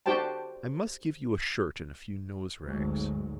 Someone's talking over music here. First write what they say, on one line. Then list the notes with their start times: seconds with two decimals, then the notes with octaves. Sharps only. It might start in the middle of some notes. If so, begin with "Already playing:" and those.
I must give you a shirt and a few noserags.
0.06 D4 F#4 G4 C5 G5 A5
2.63 G1 D2 G#2 F#3 G#3